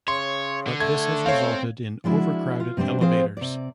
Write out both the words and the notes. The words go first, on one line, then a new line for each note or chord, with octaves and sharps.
But this has resulted in overcrowded elevators.
C#3 C#5 C6
D3
A3 G#6
C4 C#5 F5
F3 G#3 D4 E4 F#4
F4
C3 G3 A#3 C4 D4
F3 C4 G#4 C5 F5
C3 D5